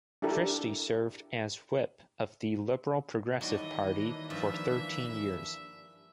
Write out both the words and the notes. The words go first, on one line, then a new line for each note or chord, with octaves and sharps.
Christie served as whip of the Liberal-Progressive party for thirteen years.
D4 E4 G4 A4 A#4
D#3 E3 F#3 G3 A#3 D4 D#5
G2 F3 E5